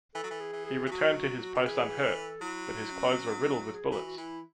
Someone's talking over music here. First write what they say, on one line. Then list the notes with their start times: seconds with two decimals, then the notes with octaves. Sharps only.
He returned to his post unhurt, but his clothes were riddled with bullets.
0.15 E3 A4
0.23 F#3
0.30 E3
0.40 G#4
0.53 E3
0.66 G#4
0.86 E3
0.90 F#3 F#4
1.17 F#4
1.41 F#4
1.55 D3
1.66 E3 G#4
2.04 A4
2.41 F#3 E4
2.67 E4
2.92 C#4
3.17 C#4
3.36 C#4
3.73 G#4
3.92 E3 F#4
4.05 F#4
4.17 E3 E4